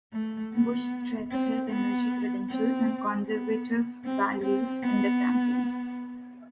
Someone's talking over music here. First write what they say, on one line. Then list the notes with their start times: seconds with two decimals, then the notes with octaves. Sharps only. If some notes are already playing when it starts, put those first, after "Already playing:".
Bush stressed his energy credentials and conservative values in the campaign.
0.13 A3
0.53 B3
1.31 C4
1.69 B3
2.48 C4
3.26 B3
4.05 C4
4.43 C4
4.82 B3